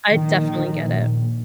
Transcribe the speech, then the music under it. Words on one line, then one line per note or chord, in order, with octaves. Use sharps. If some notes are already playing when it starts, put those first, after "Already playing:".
I definitely get it.
A#1 A#2 D#3